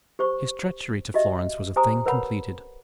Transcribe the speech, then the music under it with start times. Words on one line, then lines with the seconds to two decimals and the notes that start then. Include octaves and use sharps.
His treachery to Florence was a thing completed.
0.19 G4 C5 C#6
1.14 F#4 G4 D#5 E5
1.76 G4 C5 G#5 A#5 D#6
2.06 A#4 B4 C#5 F#5 B5